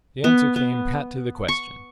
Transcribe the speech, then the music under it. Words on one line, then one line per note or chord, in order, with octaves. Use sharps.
The answer came pat to the question.
B3
B3
C#6